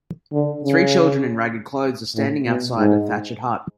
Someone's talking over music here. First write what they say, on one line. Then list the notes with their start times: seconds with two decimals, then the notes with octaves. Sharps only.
Three children in ragged clothes are standing outside a thatched hut.
0.33 D3
0.64 C#3
2.15 A2
2.46 B2
2.77 G#2